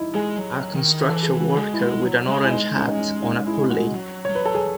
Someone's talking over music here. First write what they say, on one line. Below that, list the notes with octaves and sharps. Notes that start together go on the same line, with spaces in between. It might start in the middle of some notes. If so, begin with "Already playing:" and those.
A construction worker with an orange hat on a pulley.
Already playing: D#4 E4
G#3 G#4
F#3
D#3
E3 A4
G#4
E3 F#4
G#4
G#3
E4
G#3 F#4
F#3
G#3
E4
D#4
C#4
D#4
C#4
D#4
E4
F#4
F#3
C#5
F#3
B4
A4
G#4